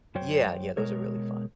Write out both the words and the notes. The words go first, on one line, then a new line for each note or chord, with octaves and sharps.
Yeah, yeah, those are really fun.
F#2 F#3 C5 C#5 G5
B2 G#3 A#4 C#5